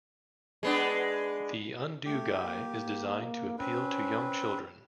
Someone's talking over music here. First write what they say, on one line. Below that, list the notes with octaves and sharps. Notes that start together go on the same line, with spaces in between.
The Undo Guy is designed to appeal to young children.
G#3 B3 D4
A3 G4
A#3
C4 C#4 B4